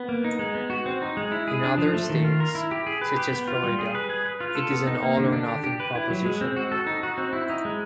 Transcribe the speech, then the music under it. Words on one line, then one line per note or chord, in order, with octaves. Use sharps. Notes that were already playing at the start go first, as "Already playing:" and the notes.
In other states, such as Florida, it is an all or nothing proposition.
Already playing: B3
A#3
D#4
G#3
B3
F#4
C4
D#4
G#3
E4
G#4
D4
F3
A3
D#3
F4
A#4
E4
G4
G#4
B4
G4
B3
F4
G3
G#4
B4
G#4
B4
F4
A4
B3
D#4
A#3
D3
D4
G4
G4
B4
E4
F#3
G#3
C4
F#4
A4
D#4
F#4
C4
E4
D#4
G#3